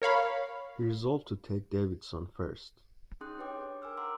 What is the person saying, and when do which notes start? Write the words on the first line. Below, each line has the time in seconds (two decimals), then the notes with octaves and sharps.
He resolved to take Davidson first.
0.02 A#4 C#5 F5 B5
3.21 C#4 D#4 G#4 C6 D#6 F#6
3.38 D4 G4 B4 C#5 G5 D6
3.82 A#4 G#5 D6 E6 F6
3.97 F#5 A#5 C6 D6 E6